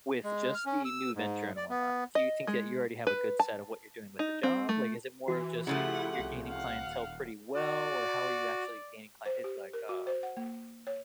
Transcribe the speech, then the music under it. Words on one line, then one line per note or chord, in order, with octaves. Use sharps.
With just the new venture and whatnot, do you think that you already have a good set of what you're doing with the job, like, is it more of just, you're gaining clientele pretty well, or how are you actually gaining client it's like, uh
G#3
F6
C#4
E6
G#2
D5
B3
D#5
G#3
B4
A5
D#4
C4
A3
E3 F#4
C#3 F3 A3 E4 G4 F#5
C2
F5 F#5
D#1
F#4 D5
C5
G4
A#4
F#4
C5
F#5
A#3
C#5